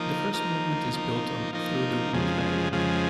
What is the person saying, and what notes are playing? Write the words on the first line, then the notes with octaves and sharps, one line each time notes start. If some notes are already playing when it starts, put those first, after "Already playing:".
The first movement is built on "Through the Wood Laddie".
Already playing: F3 A#3 D#4
F3 A#3 D#4
F3 A#3 D#4
F3 A#3 D#4
F2 C#3 F3 G#3
F2 C#3 F3 G#3